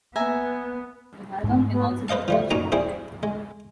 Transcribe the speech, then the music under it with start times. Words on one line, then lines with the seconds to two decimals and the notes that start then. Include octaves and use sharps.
The Marathon can also be watched online.
0.16 B3 E5 G#5 A#5
1.44 G#2 G#3 A3
1.71 B3
2.08 B4 C5 D#5 F5 A5
2.28 F3 G3 A3
2.51 F#2 A#2 D#4 F#4 A#5
2.72 G3 C4 E4 G#4 C5
3.23 G#3